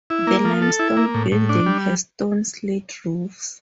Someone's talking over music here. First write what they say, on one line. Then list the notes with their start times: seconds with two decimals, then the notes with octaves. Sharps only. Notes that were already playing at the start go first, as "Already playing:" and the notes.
The limestone building has stone slate roofs.
0.10 E4
0.27 A#3
0.45 F3
0.62 A4
0.79 E4
0.97 A#3
1.14 A2
1.32 A2
1.49 D4
1.66 G3